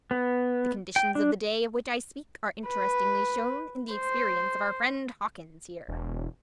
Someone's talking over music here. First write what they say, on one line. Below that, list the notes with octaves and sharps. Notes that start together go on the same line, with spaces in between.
The conditions of the day of which I speak are interestingly shown in the experience of our friend Hawkins here.
B3
G5
D4
B4
C5
E1